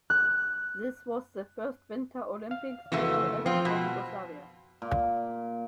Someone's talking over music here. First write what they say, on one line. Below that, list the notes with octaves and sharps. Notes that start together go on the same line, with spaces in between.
This was the first Winter Olympics medal ever for Yugoslavia.
F#6
F5
F2 C#3 E3 A3 F#4
F3 C4 F4
B2
A#2